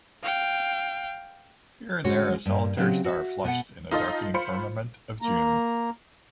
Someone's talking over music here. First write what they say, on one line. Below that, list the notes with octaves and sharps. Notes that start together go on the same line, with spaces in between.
Here and there, a solitary star flushed in the darkening firmament of June.
F5 G5
D3 G#3 C#4 F#4 C#5
G2 A#3
C#3 F#3 C4 D#4 F4 G4
F#4 E5
B2 B3 A4 F#5
D#4 F4 A4 D#5
F4 C5 B5 C#7
A#3 A#5